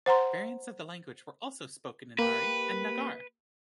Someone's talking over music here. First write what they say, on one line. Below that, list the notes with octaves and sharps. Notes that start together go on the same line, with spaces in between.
Variants of the language were also spoken in Mari and Nagar.
C5 F#5 A#5 C6
A#3 G4 B4